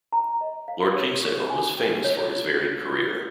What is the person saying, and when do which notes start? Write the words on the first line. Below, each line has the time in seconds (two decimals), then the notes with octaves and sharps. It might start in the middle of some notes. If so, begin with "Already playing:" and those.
Lord Kingsale was famous for his varied career.
0.13 A#5
0.41 D#5
0.68 F5
0.95 C#5
1.23 C#6
1.50 G#5
1.77 G5
2.04 C#5